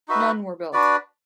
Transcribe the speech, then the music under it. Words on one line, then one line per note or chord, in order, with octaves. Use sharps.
None were built.
D#4 F#4 B4 E5
D4 F#4 B4 D5